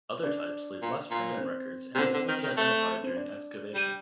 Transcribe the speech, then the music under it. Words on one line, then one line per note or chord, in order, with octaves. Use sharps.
Other types leave less permanent records and may only be identified during excavation.
D4
A#2
A#2
C4
C3
D3 C4
D3
D#3
D#3
A3
C4
D4
G3